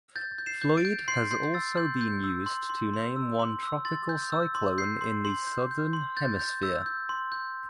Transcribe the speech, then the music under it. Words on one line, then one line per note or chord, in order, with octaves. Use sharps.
Floyd has also been used to name one tropical cyclone in the Southern Hemisphere.
G6 A6
G6
C7 E7
G6
A6 D7
G6
C6 G6 C7
C6 G6 C7
E6 A6
C6 G6
G6
E6
C6
C6
C6
E6
C6
E6
C6 A6
G6
E6
C6
G6 C7
C6
C6
G6
G6
C6
G6 A6
G6
E6
G6
C6
G6